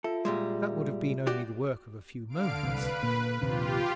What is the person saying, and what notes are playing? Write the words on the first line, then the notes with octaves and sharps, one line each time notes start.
That would have been only the work of a few moments.
F4 A4 E5
A#2 G3 G#3
F#4 G4 D5
D3 F5 D7
D1 C2 B4
A#2
A#1 D#2 C3 F4 G4